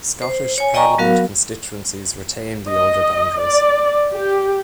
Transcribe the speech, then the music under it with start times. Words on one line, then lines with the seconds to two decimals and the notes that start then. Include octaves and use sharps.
Scottish Parliament constituencies retain the older boundaries.
0.22 C5
0.58 C#5 G#5
0.74 D5 D#5 G5 G#5 A#5 C#6
0.98 F#3 B3 F#4 A#4 F5
2.69 D#5
3.40 D5
4.11 G4